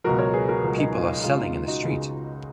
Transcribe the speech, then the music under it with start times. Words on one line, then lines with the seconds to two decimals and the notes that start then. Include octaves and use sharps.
People are selling in the street.
0.04 C#2 B2 F#3 F#4 A#4
0.19 A#4 C#5
0.34 G#4 B4
0.49 F#4 A#4
0.64 C#2 B2 F#3
0.78 D#4 F#4
0.93 F4
1.08 D#4
1.23 C#2 C#3 G#3 F4
1.38 D#4
1.53 F4
1.68 D#4 F#4
1.83 C#2 C#3 G#3